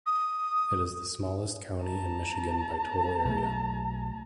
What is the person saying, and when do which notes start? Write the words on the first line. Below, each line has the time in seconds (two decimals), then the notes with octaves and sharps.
It is the smallest county in Michigan by total area.
0.06 D#6
1.82 A5 A#5
3.25 B1 F#3 A3